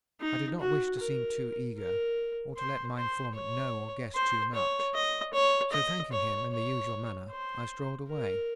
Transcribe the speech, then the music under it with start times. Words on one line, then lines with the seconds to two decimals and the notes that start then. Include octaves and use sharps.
I did not wish to seem too eager, or to let my informant know or guess too much, so, thanking him in the usual manner, I strolled away.
0.21 D#4
0.60 F#4
0.99 A#4
1.79 A#4
2.57 C5
2.97 C5
3.36 C#5
4.15 C5
4.54 C#5
4.94 D#5
5.34 C#5
5.73 D#5
6.12 C#5
6.52 C#5
7.31 C5
8.09 A#4